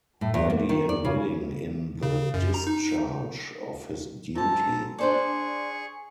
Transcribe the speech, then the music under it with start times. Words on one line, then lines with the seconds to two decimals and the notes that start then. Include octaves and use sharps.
Ready and willing in the discharge of his duty.
0.21 A2
0.34 E2
0.50 A#3
0.69 D#3
0.89 D5
1.05 C#3
2.03 C#3
2.34 F#2
2.54 A#5
2.67 D#4
4.35 G#2 A4 A5 A#5
4.98 D4 G#4 C5 D5 C#6